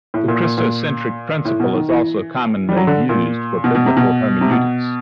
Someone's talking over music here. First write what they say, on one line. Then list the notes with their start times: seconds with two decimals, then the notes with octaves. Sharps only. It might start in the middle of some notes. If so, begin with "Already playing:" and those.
The christocentric principle is also commonly used for biblical hermeneutics.
0.14 A2
0.28 A#2
0.43 A#2
0.58 A#2
1.45 A2
1.60 B2
1.74 D#3
1.89 E3
2.69 G3
2.76 F#3
2.87 D3
3.09 A#2
3.64 B2
3.75 B2
3.86 C3
3.97 B2
4.41 C3
4.51 B2